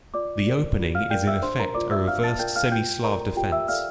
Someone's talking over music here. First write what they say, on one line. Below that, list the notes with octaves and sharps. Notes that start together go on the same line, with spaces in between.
The opening is in effect a reversed Semi-Slav Defense.
F4 D5 D6
A#4 D5
F4
F5 F6
A#4 D5 G5 G6
E5 E6
D4 C5 C6
A#4 A#5
F4 A#4 D5 D6
E5 E6
D4 F5 F6
A5 A6
F4 A#4 D5 G5 G6
F5 F6
F4 G5 G6
A4 A#4 D5 A#5
F4 G4 G5
E5 E6
A4 D5 F5 F6